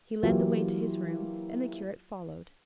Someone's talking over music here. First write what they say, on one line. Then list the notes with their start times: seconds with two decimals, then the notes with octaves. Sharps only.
He led the way to his room, and the curate followed.
0.23 E3 F#3 A#3 E4 F4 G4